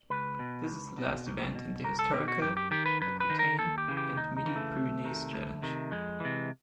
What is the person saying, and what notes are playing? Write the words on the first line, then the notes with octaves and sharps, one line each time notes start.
This is the last event in the historical Aquitaine and Midi-Pyrénées Challenge.
C#2 B4
B2
C#2
B2
C2
B2
C2 A#4
A4
B2 G4
F#4
F#2 G4
G4
D#3 G4
B4
F#2 B4
B4
D#3
A#4
D#2 A4
G4
C#3 E3
G4
D#2 D#4
D#4
C#3 E3
A3
D2
C3 D#3
D2
C3 D#3
F2 G#3
C3 E3